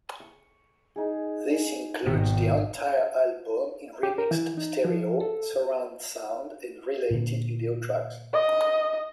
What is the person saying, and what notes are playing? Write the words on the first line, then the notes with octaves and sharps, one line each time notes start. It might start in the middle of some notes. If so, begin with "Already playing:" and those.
This includes the entire album in remixed stereo, surround sound, and related video tracks.
C#6
D#4 G#4
G#1 B2 D#3 G5
G4
A#4
E3
D#4
F3
A4
A#2 D3
D#5